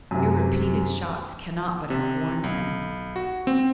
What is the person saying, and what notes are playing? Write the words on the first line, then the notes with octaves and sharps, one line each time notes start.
Your repeated shots cannot but have warned him.
F#2 C3
C3
B1
F#4
C4